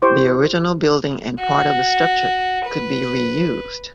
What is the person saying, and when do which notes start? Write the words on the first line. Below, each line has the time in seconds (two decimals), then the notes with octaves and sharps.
The original building and part of the structure could be reused.
0.02 E4 G4 C5 C#6 D6
1.40 F#4
2.65 B4